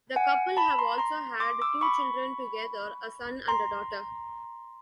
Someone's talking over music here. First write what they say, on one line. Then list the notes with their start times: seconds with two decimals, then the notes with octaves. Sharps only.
The couple have also had two children together, a son and a daughter.
0.16 F#5 G#5
0.57 A5 B5
0.79 A#5 C6
0.98 A#5 C6
1.40 C6 D6
1.62 D6 E6
1.81 B5 C#6
3.48 A#5 C6